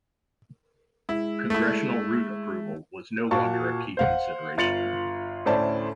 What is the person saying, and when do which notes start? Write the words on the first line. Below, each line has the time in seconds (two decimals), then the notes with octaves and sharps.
Congressional route approval was no longer a key consideration.
1.09 G#3 E4
1.50 A3 E4
3.31 A#2 F#4 F5 A5 C#6
3.97 C5 F5 F#5
4.57 G1 F4 A6 C#7 F7 F#7
5.46 D2 A2 C#4 C5 D5 A5